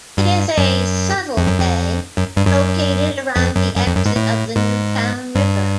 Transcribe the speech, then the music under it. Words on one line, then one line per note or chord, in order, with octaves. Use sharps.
It is a subtle bay located around the exit of the Newtown River.
G2
F#2
F2
F#2
F2
F#2
G2
F#2
F2
F#2
F#2
F2
F#2
G#2
A2
G#2
G2